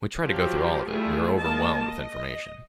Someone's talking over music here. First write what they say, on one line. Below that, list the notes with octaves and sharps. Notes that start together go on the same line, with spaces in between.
We tried to go through all of it, we were overwhelmed with information.
F3 F#3 G4
G3 A3 E4 F4 G#4
G#3 A#3 D#5 A5
D#5